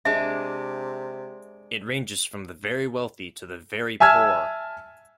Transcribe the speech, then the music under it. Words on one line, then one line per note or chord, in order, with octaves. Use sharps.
It ranges from the very wealthy to the very poor.
C3 G#3 D4 E5
E5 G#5 A5 E6 F6 G#6